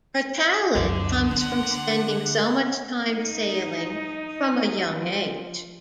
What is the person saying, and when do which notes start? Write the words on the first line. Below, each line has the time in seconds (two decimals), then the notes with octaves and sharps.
Her talent comes from spending so much time sailing, from a young age.
0.38 E4
0.75 C#2 F#2 D3
1.31 B3 F#5
3.07 D#4
4.93 F3